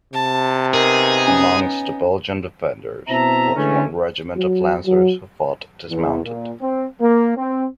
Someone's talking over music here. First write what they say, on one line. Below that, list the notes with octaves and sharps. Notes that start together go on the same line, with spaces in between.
Amongst the Belgian defenders was one regiment of lancers who fought dismounted.
C3 A5
B3 D#4 G#4 A#4
C#4 G#5
B2 C4 E4 E5 A5 A#5
D3 E3 G#3 A3 C#4
F#3
F#3
E2
A#2
C4
A#3
C4